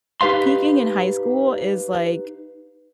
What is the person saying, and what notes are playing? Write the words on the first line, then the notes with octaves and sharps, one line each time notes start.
peaking in high school is, like
D#4 G4 B4 F5 C6